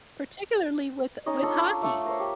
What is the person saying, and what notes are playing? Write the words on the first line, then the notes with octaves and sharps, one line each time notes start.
Particularly with with hockey.
C#4 D#4 C#5 D#5
C#4 D4 F4 A4
F4
A3 A4 D6
A#4 C5 C#5
G4